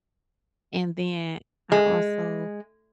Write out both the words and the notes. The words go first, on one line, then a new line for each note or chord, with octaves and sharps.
And then I also,
G#3